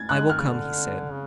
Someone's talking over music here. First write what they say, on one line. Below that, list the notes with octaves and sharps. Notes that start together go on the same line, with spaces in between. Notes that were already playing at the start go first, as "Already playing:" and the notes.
"I will come," he said.
Already playing: G#6 A6
G#3 F#6
D#3 F6
C#3
D3
C#3